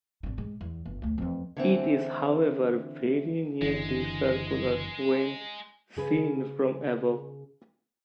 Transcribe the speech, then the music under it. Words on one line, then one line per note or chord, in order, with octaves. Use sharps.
It is, however, very nearly circular when seen from above.
G#1 D4
G#2 G#3
E2
G1
D2 A3
F2 E3
D3 E3 C4
F#1 D3 E3 G#3
C#3 G#4 B4